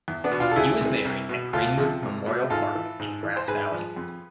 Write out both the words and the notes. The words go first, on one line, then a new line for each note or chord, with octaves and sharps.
He was buried at Greenwood Memorial Park in Grass Valley.
E2
B3 D4
B2
D4 F4
A4
D2 E4 G#4
C3 E3
C2
B2
D2 F4 A4
C3 F3
C2
B2
G#2 F4 A4
E3
G#2
E3
C5
G#2 G#4 B4
F3
F2